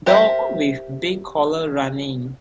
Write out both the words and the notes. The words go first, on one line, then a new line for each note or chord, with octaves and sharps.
Dog with big collar running.
G4 A#4 C5 E5